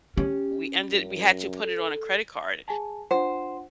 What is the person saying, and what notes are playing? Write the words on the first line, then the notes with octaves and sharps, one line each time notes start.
we ended we had to put it on a credit card,
C#4 G4
F#2
A4
G#4 G#5 A5
D4 F4 C5 F#5